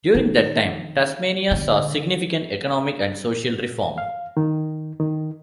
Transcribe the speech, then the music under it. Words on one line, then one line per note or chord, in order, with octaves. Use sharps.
During that time, Tasmania saw significant economic and social reform.
D#3
D3
F5
D#3
D#3